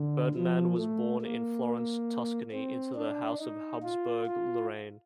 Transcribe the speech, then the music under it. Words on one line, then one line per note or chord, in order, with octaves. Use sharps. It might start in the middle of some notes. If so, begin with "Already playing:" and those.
Ferdinand was born in Florence, Tuscany, into the House of Habsburg-Lorraine.
Already playing: D3
F3
A3
A#3
C4
D4
D#4
F4
F4